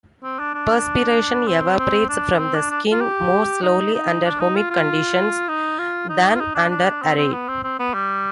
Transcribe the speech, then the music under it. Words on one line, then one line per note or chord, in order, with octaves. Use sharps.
Perspiration evaporates from the skin more slowly under humid conditions than under arid.
C4
D4
D4
C4
C4
D4
C4
D4
D4
F4
G4
D#4
D#4
D4
D#4
F4
F4
D#4
F4
D#4
F4
D#4
D4
D4
C4
C4
B3
C4
C4
B3
G3